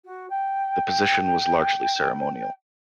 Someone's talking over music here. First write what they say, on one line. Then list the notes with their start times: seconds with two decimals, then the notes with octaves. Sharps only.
The position was largely ceremonial.
0.05 F#4
0.30 G5